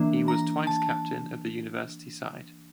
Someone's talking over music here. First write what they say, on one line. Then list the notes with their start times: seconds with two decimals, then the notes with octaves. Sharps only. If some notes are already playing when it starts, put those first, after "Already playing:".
He was twice captain of the University side.
Already playing: E3 A#3 D4
0.28 A#5
0.67 A5